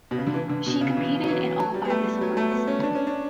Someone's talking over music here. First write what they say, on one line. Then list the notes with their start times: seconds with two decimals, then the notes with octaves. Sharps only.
She competed in all five disciplines.
0.11 B2
0.18 C#3
0.27 D3
0.34 E3
0.50 D3
0.66 B2
0.81 C#3
0.97 E3
1.24 F#3
1.28 E3
1.59 F#3
1.74 G3
1.85 B3
1.90 A3
2.06 G3
2.21 F#3
2.37 A3
2.52 B3
2.68 C#4
2.83 D4
2.95 C#4
3.07 D4